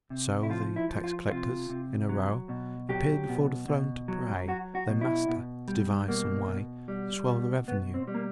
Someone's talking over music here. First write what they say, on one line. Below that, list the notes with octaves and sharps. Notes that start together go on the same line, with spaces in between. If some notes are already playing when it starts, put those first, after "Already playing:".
So The tax-collectors in a row Appeared before the throne to pray Their master to devise some way To swell the revenue.
C3
E4
F3 F4
E4
F3
F4
C3 F4
C3
F#3
B2
F#3 G4
B2
B2
F#3
F#3 F#4
F#4
B2
E4
B2
G3
B2 A#3
B2
G3
B2
B2 B3
C4
G3
A#3